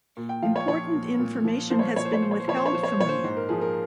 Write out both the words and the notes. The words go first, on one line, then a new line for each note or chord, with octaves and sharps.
Important information has been withheld from me.
A#2
G5
F3 F5
C#5
F3 C#5
A#2
A#2
F3
F3 C5
C#5
C5
A#2 C#5
C5
C#5
A#2 C5
C#5
C5
F3 C#5
C5
C#5
F3 C5
C#5
C5
A#2 C#5
C5
G#2 C5
A#4
F3 G#4
A#4